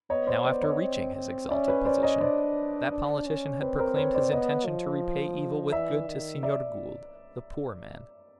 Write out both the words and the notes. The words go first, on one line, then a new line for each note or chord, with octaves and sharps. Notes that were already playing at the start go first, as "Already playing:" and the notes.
Now, after reaching his exalted position, that politician had proclaimed his intention to repay evil with good to Senor Gould--the poor man.
B3 C#5 D#5
C5 D5
B3 C5 D5
C#5 D#5
C4
C4
C#4 D5 E5
B4 C#5
C5 D5
C#5 D#5
D4 C5 D5
D4
C#4
C4 B4 C#5
A#4 C5
B4 C#5
C5 D5
B3 C#5 D#5
F3
E3 D5 E5
D#3
D5 E5